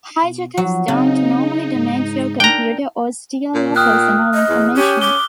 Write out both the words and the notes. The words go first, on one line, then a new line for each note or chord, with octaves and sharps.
Hijackers don't normally damage your computer or steal your personal information.
B2
F3 F#3
C#3 C4 D#4
G#2
D4 A#4 G5 A#5
A#2
G5 D#6 F6 F#6
D#5
E2
C#4 G4
D6 G7